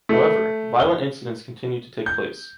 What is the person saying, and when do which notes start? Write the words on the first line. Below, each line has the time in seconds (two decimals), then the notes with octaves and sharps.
However, violent incidents continue to take place.
0.09 A3
0.80 G7
2.06 G6